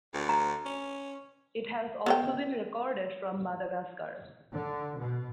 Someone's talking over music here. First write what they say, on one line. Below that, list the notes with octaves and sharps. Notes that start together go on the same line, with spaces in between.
It has also been recorded from Madagascar.
D2
A#5
C#4
B3 C#5 G5
D3
B2